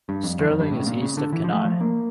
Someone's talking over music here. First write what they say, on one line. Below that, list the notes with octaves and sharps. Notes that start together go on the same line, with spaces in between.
Sterling is east of Kenai.
G2
F2
E2
F2
G2
A2
C#3
A#2
C#3
D3
E3
F3
A3
F3
A#3